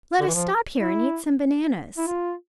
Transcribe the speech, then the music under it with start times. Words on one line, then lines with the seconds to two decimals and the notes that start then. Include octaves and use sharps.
Let us stop here and eat some bananas.
0.20 D3
0.28 E3
0.34 F3
0.79 E4
1.98 E4
2.07 F4